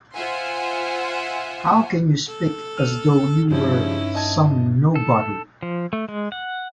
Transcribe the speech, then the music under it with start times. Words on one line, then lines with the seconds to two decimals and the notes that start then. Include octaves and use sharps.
How can you speak as though you were some nobody?
0.13 F4 C5 E5 F#5 G#5 C6
2.28 A4
2.77 F6 D#7 F7
3.51 G2 C#3 F3 G3 C#4 D#4 E4
4.15 D#5 A5 G#6
4.96 A4
5.63 F3
5.93 A3
6.09 G#3
6.32 F#5